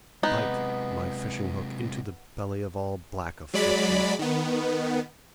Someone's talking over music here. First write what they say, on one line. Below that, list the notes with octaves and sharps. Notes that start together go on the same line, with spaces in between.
Bite, my fishing-hook, into the belly of all black affliction!
C3 G#3 B3 D#4
F#3 G#3 D5 B5
D#3 B3